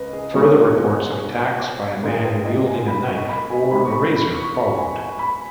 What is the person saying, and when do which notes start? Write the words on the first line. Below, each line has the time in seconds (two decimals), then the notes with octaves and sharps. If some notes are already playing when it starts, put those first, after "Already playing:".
Further reports of attacks by a man wielding a knife or a razor followed.
Already playing: C#2 B4 D#5
0.13 G#4
0.34 B2 G#3 D#4 G#4 C#5
2.03 G#2 D#3 G#3 D#4 G#4 B4
2.24 B4
2.45 D#5
2.66 G#5
2.88 B5
3.08 C#6
3.29 B5
3.50 G#5
3.71 B2 G#3 D#4 B5
3.85 C#6
3.92 B5
4.13 B5
4.35 C#6
4.56 B5
4.76 G#5
4.97 G#5
5.19 B5